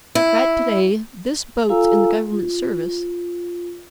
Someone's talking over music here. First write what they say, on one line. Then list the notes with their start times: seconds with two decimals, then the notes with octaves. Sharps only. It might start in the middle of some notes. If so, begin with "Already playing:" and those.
Right to-day this boat's in the government service.
0.15 E4
1.69 F4 A4 F5 G#5 A#5 E6
2.32 F4